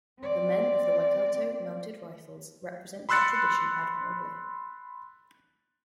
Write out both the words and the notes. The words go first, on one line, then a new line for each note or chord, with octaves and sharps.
The men of the Waikato Mounted Rifles represent that tradition admirably.
C4 D5
B5 C6 E6 F#6 A6 C#7